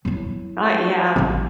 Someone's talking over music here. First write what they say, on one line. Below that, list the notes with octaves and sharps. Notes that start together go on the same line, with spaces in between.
Uh, yeah.
F#3 E4
A1 D4